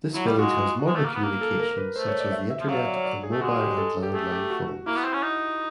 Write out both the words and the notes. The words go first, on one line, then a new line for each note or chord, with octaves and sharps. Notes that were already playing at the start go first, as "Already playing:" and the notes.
This village has modern communications such as the internet and mobile and landline phones.
F#3 E4
G3 F4
G#3 F#4
G#3
A3
A#3
B3
A#3
A4
A#4
A#4
B4
A3 C5
C#5
D5
E5
E5
F3
F#3 F5
E5
D5
C#5
D5
G#4
A3
G#3 F#4
G4
A4
G4
A3 G#4
G4
F#4
A#3 E4
B3
C4
C#4
D#4